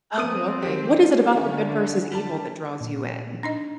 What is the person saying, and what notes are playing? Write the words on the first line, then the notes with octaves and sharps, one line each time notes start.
Oh, okay. What is it about the good versus evil that draws you in?
F3 G#3 B3 C4 D#6 D#7
D#3 G4
D3 A3 C#4
G3 A5
A#2
D4 D#4 D#5